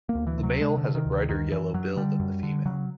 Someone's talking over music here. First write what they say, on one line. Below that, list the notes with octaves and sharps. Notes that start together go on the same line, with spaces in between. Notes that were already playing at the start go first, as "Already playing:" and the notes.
The male has a brighter yellow bill than the female.
A#3
D2
E3
C3
F#3
C3 G#3
D3
C3
D#3
D2
D#3
F#2 D#3
F#2 E3
F#2 F#3
D3 G3
F#2
D3
C#3 F#3